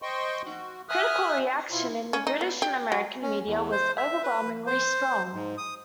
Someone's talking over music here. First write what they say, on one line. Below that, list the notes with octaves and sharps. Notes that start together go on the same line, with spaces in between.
Critical reaction in the British and American media was overwhelmingly strong.
C5 D#5 G5 C6 C#6
F#4
E5 G#5 D#6 F6 F#6
B2 E4 F4
C#4
D#4
B3
G4
F#3
C#4
E2
C5
E5
B4
C5
G#2
D#6